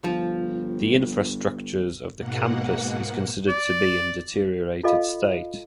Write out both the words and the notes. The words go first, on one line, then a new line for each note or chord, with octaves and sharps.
The infrastructures of the campus is considered to be in deteriorated state.
G1 F3
G#2 B2 A#3 F#5
D5
F4 A4 D#5 F5 B5